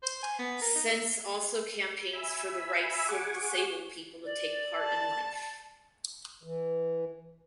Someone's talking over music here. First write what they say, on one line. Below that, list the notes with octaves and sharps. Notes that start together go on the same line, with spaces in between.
Sense also campaigns for the rights of disabled people to take part in life.
C5
G#5
B3
A#4
D#4
E5
E5 G#5 B5 E6
G#4 F#5 G#5 C#6 D6
D5
A5
E3